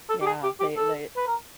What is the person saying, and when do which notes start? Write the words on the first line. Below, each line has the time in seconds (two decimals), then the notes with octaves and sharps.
Yeah, they they
0.09 A4
0.21 G4
0.26 G#4
0.43 G4
0.60 G4
0.77 A4
1.17 B4
1.27 A#4